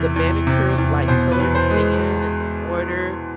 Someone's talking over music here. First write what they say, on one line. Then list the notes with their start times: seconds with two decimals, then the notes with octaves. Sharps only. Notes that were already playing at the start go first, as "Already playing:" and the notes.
the manicure-like color sand and the water,
Already playing: E2 C3 E3
0.16 E2
0.47 C3
0.78 E2
1.08 B2 C5
1.32 B4
1.40 E2
1.55 C5
1.70 G#3